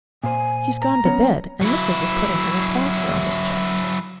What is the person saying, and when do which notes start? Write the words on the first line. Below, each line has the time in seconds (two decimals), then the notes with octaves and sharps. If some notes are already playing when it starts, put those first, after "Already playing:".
"He's gone to bed, and missis is putting him a plaster on his chest."
0.24 A#2 C5 G#5
0.81 A#5
1.05 F#3 B3 C#4
1.62 F#3 E4